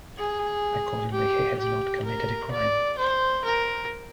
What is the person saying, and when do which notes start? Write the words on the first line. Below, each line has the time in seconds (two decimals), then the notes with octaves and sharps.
Accordingly, he has not committed a crime.
0.18 G#4
1.11 G4
1.58 G4
2.05 A#4
2.51 D5
2.98 C5
3.45 A#4